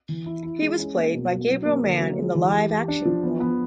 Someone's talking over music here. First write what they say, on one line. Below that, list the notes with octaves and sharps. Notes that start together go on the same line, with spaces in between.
He was played by Gabriel Mann in the live-action film.
E3
E4
E4
G#3
C#4
A#3
B2
B2
F#3
A#3
D3
F#3
G#3
E3
G4
G4
D4
F3
B3
B3